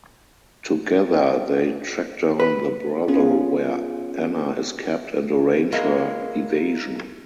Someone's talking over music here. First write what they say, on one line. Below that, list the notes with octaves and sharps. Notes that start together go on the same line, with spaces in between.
Together they track down the brothel where Anna is kept and arrange her evasion.
B4
B3 C#4 F4 G#4
G#3 A#3 E4